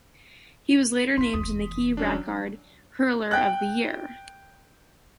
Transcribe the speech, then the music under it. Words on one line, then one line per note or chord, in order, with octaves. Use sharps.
He was later named Nicky Rackard Hurler of the Year.
C#4 D#4 C6 B6
F1 E2 D#6
F#3 C#4 D4
G5 F#6